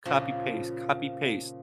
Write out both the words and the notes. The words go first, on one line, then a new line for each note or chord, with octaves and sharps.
copy, paste, copy, paste.
A#2 C#3 F3